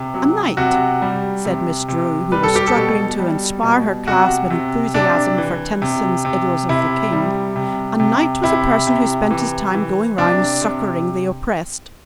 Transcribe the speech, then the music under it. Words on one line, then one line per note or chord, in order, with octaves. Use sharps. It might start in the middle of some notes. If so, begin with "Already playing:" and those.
"A knight," said Miss Drew, who was struggling to inspire her class with enthusiasm for Tennyson's "Idylls of the King," "a knight was a person who spent his time going round succouring the oppressed."
Already playing: C3
F#3
C3 F#4
G3
C3
C3
G3 B4
A4
G4
A4
B2
G3
B2
C3 F#4
C3
C3 D4
E3
C3
C3
C3 E4
G3
C3
C3
C3 E4
C3
E3
E3
C3 D4
C3